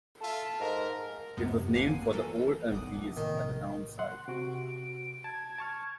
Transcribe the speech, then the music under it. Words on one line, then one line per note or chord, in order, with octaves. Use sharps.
It was named for the old elm trees at the town site.
F4 A4 E5
G#2 A#4
C#2 F#2 C3 B3
G#1 A#3 F#5 G#5 C7 D#7
E3 F#3 A4 A#4
F#1 B1 G2 F#5 D6 D#6
A#1
A2 C3 D#3
F#5 C6 F#6
C3 F#4 D7
A5 G#6
A5 C#6 F6